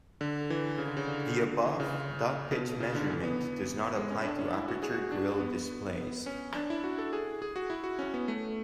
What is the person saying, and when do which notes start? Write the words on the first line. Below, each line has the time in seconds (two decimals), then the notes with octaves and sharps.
The above dot pitch measurement does not apply to aperture grille displays.
0.21 D3
0.50 E3
0.78 C#3
0.87 D3
0.97 C#3
1.08 D3
1.65 E3
1.80 C#3
2.51 B2
2.80 C#3
2.95 D3
3.10 E3
3.23 B3
3.96 G#3
4.11 C#4
4.25 D4
4.39 C#4
4.53 E4
4.68 F#4
4.83 G#4
4.92 F#4
5.12 D4
5.40 B3
5.98 B3
6.26 C#4
6.55 D4
6.70 E4
6.84 F#4
6.98 A4
7.13 G#4
7.42 G#4
7.56 F#4
7.70 E4
7.84 F#4
7.99 C#4
8.14 B3
8.28 A3